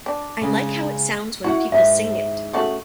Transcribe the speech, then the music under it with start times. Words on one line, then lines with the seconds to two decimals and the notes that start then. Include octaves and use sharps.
I like how it sounds when people sing it.
0.06 D4
0.41 C#3 G#3
1.44 E4 F#4 F#5
1.72 G#2 E5
2.53 C#3 A3 F#4